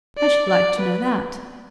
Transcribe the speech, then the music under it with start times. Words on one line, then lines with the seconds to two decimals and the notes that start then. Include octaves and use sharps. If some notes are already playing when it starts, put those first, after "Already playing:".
I should like to know that.'
0.18 D5
0.50 D5
0.80 B4